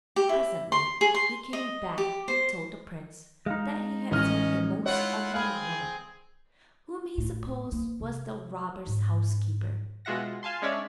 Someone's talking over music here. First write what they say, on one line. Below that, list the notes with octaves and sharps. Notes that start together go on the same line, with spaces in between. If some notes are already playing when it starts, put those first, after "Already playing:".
Presently he came back and told the prince that he had seen a most ugly woman, whom he supposed was the robbers' housekeeper.
G4
E4
C6
G#4
C6
D#5
G4
C5
G#3 D#4 F5
A1 C#4 D#5 F6
E4 F4 C#5 F#5
C4 G#4 F5 G#5 B5
A2
A#3
C3
G#2
B2 G#3 F4 E5 F#5 A#6
F5 G#5 A5 C6
G#3 C#4 D4 C#5 D5 E5